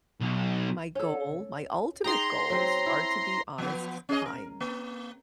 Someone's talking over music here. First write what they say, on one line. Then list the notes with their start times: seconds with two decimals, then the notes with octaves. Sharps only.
my goal my ultimate goals are to be honest, kind,
0.20 B1
0.95 C#4 A4
2.04 D#4 G#4 G5 A#5 C6
2.50 F#3 C4 C#4
2.86 E4
3.58 F3 B3
4.09 C#4 G#4 D#5
4.26 A#4
4.60 A#3